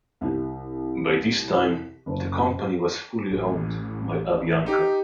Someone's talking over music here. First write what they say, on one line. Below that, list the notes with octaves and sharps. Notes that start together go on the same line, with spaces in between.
By this time, the company was fully owned by Avianca.
C2
F#1
A1
D#4 G4